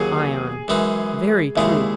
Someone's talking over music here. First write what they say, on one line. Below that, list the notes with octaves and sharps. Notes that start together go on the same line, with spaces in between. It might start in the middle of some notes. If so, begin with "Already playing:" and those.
ION: Very true.
Already playing: D#2 C#3 F#3 G#4
F#2 E3 G#3 D#4
D#2 C#3 G#3 E4